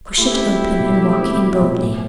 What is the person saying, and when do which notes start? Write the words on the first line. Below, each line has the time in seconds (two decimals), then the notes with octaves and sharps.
Push it open and walk in boldly.
0.18 A3 E4 G4
0.39 C4
0.59 F#4
0.79 B2
1.00 A3
1.21 C4
1.41 F#4
1.61 B2
1.81 A2